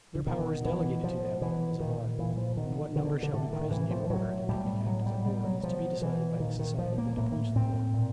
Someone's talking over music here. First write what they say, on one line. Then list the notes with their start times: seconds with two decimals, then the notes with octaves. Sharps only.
Their power is delegated to them as a body, and what number shall be present in order that they may act as a Board, is to be decided by the society that appoints the Board.
0.15 D3
0.26 B2 D#3
0.65 B2 E3
1.03 B2 F3
1.41 B2 E3
1.80 A#2 D#3
2.18 A#2 E3
2.37 F3
2.57 B2 D#3
2.95 B2 D#3
3.04 D3
3.23 D3
3.33 A2 D3
3.53 D#3
3.71 A2 E3
3.91 F3
4.10 A2 F#3
4.48 A2 G3
4.86 B2 F#3
5.06 G3
5.25 B2 G3
5.44 F#3
5.63 B2 F3
6.01 B2 E3
6.40 A#2 D#3
6.59 D#3
6.78 A#2 F3
6.98 A#3
7.17 A2 A#3
7.55 A2 C4
7.94 A#2